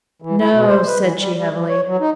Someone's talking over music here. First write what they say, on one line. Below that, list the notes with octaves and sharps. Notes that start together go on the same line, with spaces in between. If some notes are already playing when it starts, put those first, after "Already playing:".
'No!' said she, heavily.
E3
E4
B2
C5
B4
E3
G3
G3
F3
C#5
F#3
D#4